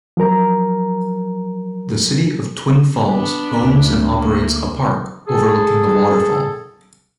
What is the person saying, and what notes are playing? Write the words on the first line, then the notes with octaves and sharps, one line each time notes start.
The City of Twin Falls owns and operates a park overlooking the waterfall.
F3 F#3 A#4 A#5
B3 D4
D2
A#3
G#4 A4